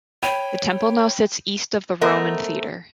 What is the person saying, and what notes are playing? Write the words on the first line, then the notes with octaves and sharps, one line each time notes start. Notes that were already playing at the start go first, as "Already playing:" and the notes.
The temple now sits east of the Roman theater.
C#5 G5 B5 D#7
A3 B3 A#4 C5 D#5